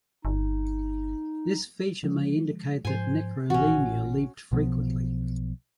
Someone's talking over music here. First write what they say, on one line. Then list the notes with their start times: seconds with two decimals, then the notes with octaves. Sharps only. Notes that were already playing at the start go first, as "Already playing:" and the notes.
This feature may indicate that "Necrolemur" leaped frequently.
0.25 G1 D#4
2.03 D3 F3 G#3
2.85 G#2 F3 C5 G#5
3.50 A1 A#2 E3 C#4 F#4
4.52 B1 B2 F3 B3